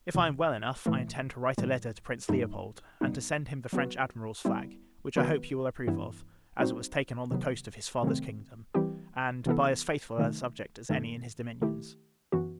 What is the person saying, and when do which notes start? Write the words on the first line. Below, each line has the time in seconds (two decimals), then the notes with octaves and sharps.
If I am well enough, I intend to write a letter to Prince Leopold, and to send him the French Admiral's flag; which I hope you will approve of, as it was taken on the coast of his father's kingdom, and by as faithful a subject as any in his dominions.
0.14 E2 C3 E3
0.86 A2 E3 A3
1.58 A2 E3 G3
2.29 G2 F#3 A3 D#4
3.01 A2 G3 B3 D#4
3.73 F#3 B3 F#4 B4
4.45 G3 B3 E4
5.16 D#3 F#3 B3 F#4 B4
5.87 G2 E3 B3 E4
6.60 G3 C4 D#4 F#4 C5
7.31 C3 D#3 F#3 B3
8.03 C3 D#3 F#3 A3 C4
8.74 E3 G3 C4 E4 G4
9.46 C3 E3 B3 E4 A4
10.18 C3 D#3 A3 D#4
10.89 G2 D#3 A3 D#4 A4
11.61 D#3 A3 E4 G4
12.32 F#2 E3 B3 F#4